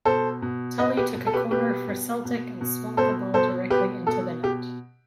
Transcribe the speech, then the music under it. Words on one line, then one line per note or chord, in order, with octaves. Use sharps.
Tully took a corner for Celtic and swung the ball directly into the net.
B2 A4 C5
B2
B2 B4 D#5
G4 B4
B2
A4
G4 B4
B2 G4 B4
B2
B2
B2
B2 A4 C5
B2 A4 C5
B2 G4 B4
B2 A4
B2 G4